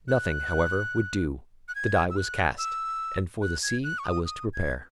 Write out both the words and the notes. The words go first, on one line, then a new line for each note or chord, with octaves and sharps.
Nothing, however, would do; the die was cast, and for the sea I was to prepare.
F#6
F#6
G#6
E6
F#6
E6
F#6
G#6
F#6
C#6
D#6
D#6
G#6